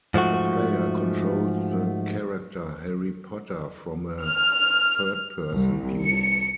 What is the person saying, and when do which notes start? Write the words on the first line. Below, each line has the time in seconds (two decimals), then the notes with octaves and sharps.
The player controls the character Harry Potter from a third-person view.
0.14 G#2 F3 A3 F#4
4.24 F6
5.52 C2
6.03 C#7